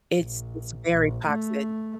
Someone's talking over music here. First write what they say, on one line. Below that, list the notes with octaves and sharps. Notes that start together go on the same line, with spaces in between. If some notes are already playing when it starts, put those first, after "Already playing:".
it's it's very toxic.
A#1
A#1
A3